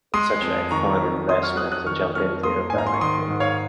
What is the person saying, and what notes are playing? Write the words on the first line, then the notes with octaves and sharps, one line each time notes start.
such a fun investment to jump into, if that makes sense.
G#3 C6 D#6
F2
D#3 A#5 C#6
F2
F#3 C6 D#6
C#6 F6
F2 D#6 F#6
D#6 F#6
D#3 C#6 F6
F2 C#6 F6
A#3 C6 D#6
G#2 G#5
A#5
C6
C#6
D#3 C6 D#6
G#2
C#5 F5